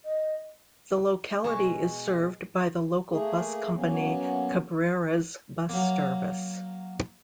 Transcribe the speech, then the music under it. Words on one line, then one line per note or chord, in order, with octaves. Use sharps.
The locality is served by the local bus company Cabrera's Bus Service.
D#5
B2 G#3 G#4 C#5 A5
A3 A#3 G#4
F#3 A#3 B3 C#4
F#3 A#3